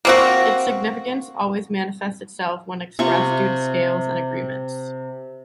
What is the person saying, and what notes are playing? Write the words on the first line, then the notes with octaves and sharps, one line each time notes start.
Its significance always manifests itself when expressed due to scales and agreements.
A#3 C4 F#4
C3 F4 C#6